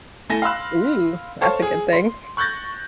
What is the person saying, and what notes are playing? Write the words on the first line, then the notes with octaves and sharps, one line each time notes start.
Ooh, that's a good thing.
A3 E4 G#5 A#6
F5 B5 C6 E6 F#6
A4 C5 C#5 F5 A5 C#6
G#4
C6
C#6 F#6 G6 A6 A#6